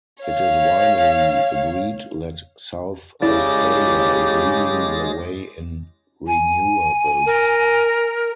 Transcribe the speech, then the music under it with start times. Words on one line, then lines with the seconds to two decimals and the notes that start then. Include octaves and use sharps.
It is widely agreed that South Australia is leading the way in renewables.
0.24 C#5 F5
3.22 C#3 G#3 E4 G4 D5 A6 A#6
6.27 G#5
7.26 A#4